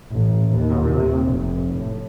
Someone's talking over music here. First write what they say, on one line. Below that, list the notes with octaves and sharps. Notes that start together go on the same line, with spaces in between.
Oh, really? Wow.
A1
D#2
C3
F1
A2